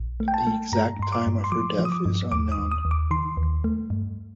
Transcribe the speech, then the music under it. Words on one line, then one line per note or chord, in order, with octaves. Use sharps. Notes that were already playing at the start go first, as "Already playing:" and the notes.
The exact time of her death is unknown.
Already playing: A#1
A3
G5
A5
A3
G2 A#5
G2 C6
D6
G2
C6
F3 D6
F3
D#6
D6
G2
D#2 D6
D#6
D#2
D#6
D#2
D6
D#3 C6
D#2
A3
G2